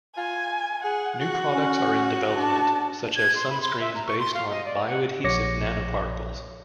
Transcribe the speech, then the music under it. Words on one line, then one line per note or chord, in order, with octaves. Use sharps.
New products are in development such as sunscreens based on bioadhesive nanoparticles.
F4 G#5
G#4 F#5
F#4
C#4
D4 A5
G#6
C6
B5
C6
E5
A#5
C#6
C6
F5
D#5
D5
F#5
A#1 C#5 D6 A#6 C#7